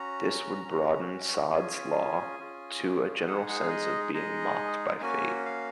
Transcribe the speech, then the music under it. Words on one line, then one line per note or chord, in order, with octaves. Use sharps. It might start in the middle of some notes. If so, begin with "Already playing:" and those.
This would broaden Sod's law to a general sense of being "mocked by fate".
Already playing: C#4 F#4 A#5
C#4 F#4
C#4 F4 G#4 G#5
C#4 F4 G#4
G#3 D#4 G#4 F#5
F#5
F5
D#5
G#3 D#4 G#4 D#5
A#3 C#4 F#4 G#5
F5